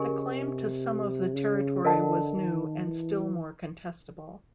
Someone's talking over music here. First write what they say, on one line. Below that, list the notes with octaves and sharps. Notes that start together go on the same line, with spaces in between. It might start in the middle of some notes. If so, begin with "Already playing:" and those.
The claim to some of the territory was new and still more contestable.
Already playing: C#3 G4 A#4 D#5 G#5 C#6
C3
C#3
D3 A#4 D#5 F#5 A5
D#3
E3